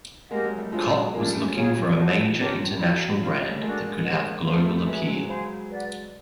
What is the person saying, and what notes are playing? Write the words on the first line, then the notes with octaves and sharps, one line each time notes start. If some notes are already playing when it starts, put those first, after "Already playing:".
Cott was looking for a major international brand that could have global appeal.
G#3 A#3 G4 A#4 D#5 F#5
F#3 G#3
G3 A3
F#3 G#3 D4 F4 A4 C5
G#3 A#3 D4 F4 G#4
G3 A3
F#3 G#3
G3 F4 G#4 C#5 F5
F#3
F3 G3
F#4 A4 C5 D#5
D4 G4 A#4 C#5
F#3 E4 A4 D5
F3 G3 A#4 D5 F5
G3 A3
G#3 A#3 D4 F#4 A4
G4 C5 D#5 F#5
A3 B3 A4 C5 F5
G3 A3
F#3 G#3 B4 E5 G#5
F#3 G#3
C5 F5 G#5 B5
B4 D5 F#5